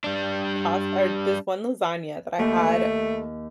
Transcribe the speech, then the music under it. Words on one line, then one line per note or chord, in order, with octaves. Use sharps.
past or this one lasagna that I had,
G3 D4
D#2 A3